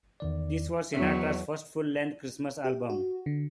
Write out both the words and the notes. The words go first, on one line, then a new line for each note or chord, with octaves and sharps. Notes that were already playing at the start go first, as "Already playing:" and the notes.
This was Sinatra's first full-length Christmas album.
E2 D#3 D5
E2 F#3 E5 B6
G4
F#4
D3